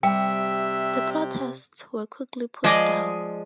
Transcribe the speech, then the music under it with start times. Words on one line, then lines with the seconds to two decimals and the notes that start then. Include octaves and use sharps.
The protests were quickly put down.
0.03 C3 G3 E5 G5
2.64 F3 G#3 G#4 D5 D#5